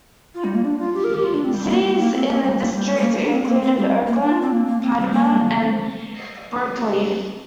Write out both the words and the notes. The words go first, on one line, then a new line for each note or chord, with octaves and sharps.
Cities in the district included Oakland, Piedmont and Berkeley.
F4
G3
A#3
D4
F4
G4
A#4
G4
F4
D4
C4
G3
A#3
G3
C4
A#3
C4
A#3
G3
A#3
G3
G3
A#3
A#3
D4
C4
C4
A#3
C4
G3
A#3
D4
F4
C4
A#3
A#3
C4
G3
A#3